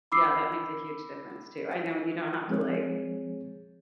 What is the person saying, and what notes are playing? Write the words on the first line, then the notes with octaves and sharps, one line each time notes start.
Yeah, that makes a huge difference, too. I know when you don't have to, like,
B5 D6 E6 C7
F3 G#3 C4 G#4 C#5